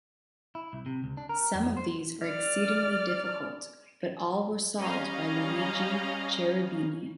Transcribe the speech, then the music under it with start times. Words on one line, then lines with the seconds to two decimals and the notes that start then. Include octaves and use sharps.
Some of these are exceedingly difficult, but all were solved by Luigi Cherubini.
0.55 E4
0.73 C2
0.86 C3
1.04 C#2
1.17 D4
1.29 A#4
1.54 F2
1.77 C5
2.26 D5 F6
4.82 G3 C#4 D#5 F5 A#5